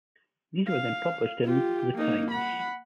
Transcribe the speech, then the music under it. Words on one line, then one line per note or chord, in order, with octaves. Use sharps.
These were then published in "The Times".
F5
F4 G4
A#3 D#4
F#5 B5